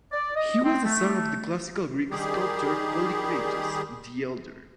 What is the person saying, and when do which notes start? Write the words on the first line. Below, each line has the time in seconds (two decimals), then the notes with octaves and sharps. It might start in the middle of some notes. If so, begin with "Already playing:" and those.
He was the son of the Classical Greek sculptor Polykleitos, the Elder.
0.12 D5
0.36 D#5
0.64 C4
0.85 A3
2.11 D#3 G3 G4 G#4